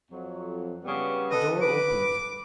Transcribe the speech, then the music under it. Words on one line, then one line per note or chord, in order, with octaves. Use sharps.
The door opened.
F2 F#3
C#3 G3 B3
A4 B4 D#5
B4 D6